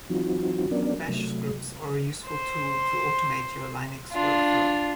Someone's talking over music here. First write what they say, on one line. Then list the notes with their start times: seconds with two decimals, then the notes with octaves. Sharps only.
Bash scripts are a useful tool to automate your Linux workflow.
0.09 E3 F#3 C4 D#4 F4 F#4
0.71 F#3 B3 C#4 D4 A#4 D5
1.08 C3 F#3 A3
2.26 C5
4.12 D4 F4